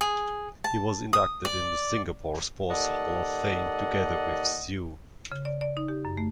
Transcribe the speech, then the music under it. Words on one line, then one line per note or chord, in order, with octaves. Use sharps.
He was inducted in the Singapore Sports Hall of Fame together with Siew.
G#4
A5
D#6
D5
D#2 A4 D5 D#5 F#5
C#3
D5
D5
D#4
G4
F#2
A3